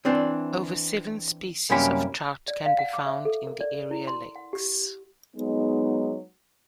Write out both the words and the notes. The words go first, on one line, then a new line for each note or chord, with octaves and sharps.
Over seven species of trout can be found in the area lakes.
E3 C4 D4
C2 F#2 A#3 C#4 G4 B5
D5
F5
F#5
D6
E5
A4
A#4
D5
E4
C6
F#5
G4
F#3 G#3 B3 D#4